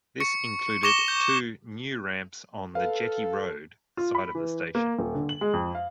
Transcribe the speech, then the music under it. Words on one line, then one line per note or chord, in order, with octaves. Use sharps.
This included two new ramps on the Jetty Road side of the station.
C#6 C#7
C#6 D6 A#6 E7 G7
G6
A4 B4 F5
F4
B5
E3
A#3
D#1
D3
F#7
G#3
F2
F5